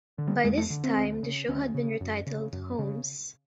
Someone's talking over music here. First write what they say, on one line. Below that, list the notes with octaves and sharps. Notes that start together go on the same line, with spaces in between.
By this time, the show had been retitled "Holmes".
D3
G3
F2 G#3
A3
D3
C4
D2
C#3
D2 C#4
C#3
F#2
C#3
F#2
C#3